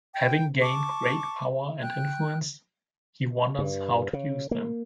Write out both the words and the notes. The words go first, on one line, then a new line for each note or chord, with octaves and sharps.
Having gained great power and influence, he wonders how to use them.
G5
A5 C#6 D6
G5 F#6
G2
C#3
A#3